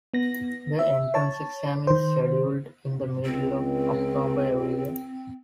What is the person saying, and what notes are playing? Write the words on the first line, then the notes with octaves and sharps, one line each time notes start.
The entrance exam is scheduled in the middle of October every year.
B3 A#6
E5
C#5 A5
D#3 C5
C#2 C4